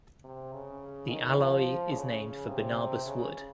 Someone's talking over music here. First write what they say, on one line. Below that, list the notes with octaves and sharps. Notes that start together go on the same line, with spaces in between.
The alloy is named for Barnabas Wood.
C3
C#3
D#3
F3
C#3
C3
C#3